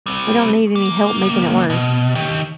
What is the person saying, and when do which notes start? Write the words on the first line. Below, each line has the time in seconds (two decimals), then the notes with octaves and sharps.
We don't need any help making it worse.
0.06 G3 C4
0.76 C#2 A#3
1.70 B2
2.15 D#3 G4